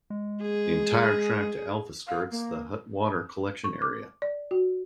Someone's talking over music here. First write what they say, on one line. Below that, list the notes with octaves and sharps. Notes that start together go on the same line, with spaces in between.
The entire track to Alpha skirts the Hutt Water Collection Area.
G#3
G#4
F5
A#3
C#6
D6
D5
F#4